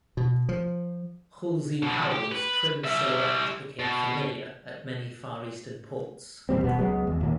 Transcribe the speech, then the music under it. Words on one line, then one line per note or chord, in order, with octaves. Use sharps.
"Halsey Powell"s trim silhouette became familiar at many far eastern ports.
B2
F3
B2 F3
G4
B4
G3 E5
B2
E2 A#2 G3 C4
D#1 B2 B3
C#2 F#3 G#3 B3
E2
D#2 A#2